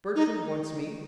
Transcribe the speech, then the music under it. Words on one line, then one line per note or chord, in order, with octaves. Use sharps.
Bertram wants me.
D#4